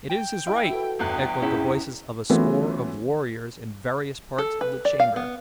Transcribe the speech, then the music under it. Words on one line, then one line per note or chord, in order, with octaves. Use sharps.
"It is his right," echoed the voices of a score of warriors in various parts of the chamber.
G5
E4 D#5
F#4 A4 B4
G1 E2 G5 F#6
C#4 D#4 E4 G#4
E3 F#3 A3 B3 C#4 F4
A4
B4
D5
F5
B3